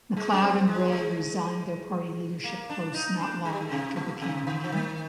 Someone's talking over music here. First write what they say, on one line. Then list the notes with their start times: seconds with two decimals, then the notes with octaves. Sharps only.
McLeod and Rae resigned their party leadership posts not long after the campaign.
0.17 G#3
0.33 D4
0.42 C4
0.68 G#3
0.88 A#3
0.92 G#3
2.44 A#3
2.70 D4
2.94 D#4
3.20 D4
3.45 G#3
3.53 G3
3.60 G#3
3.71 C3
3.96 A#2
4.22 C3
4.47 D3
4.64 F3
4.72 D#3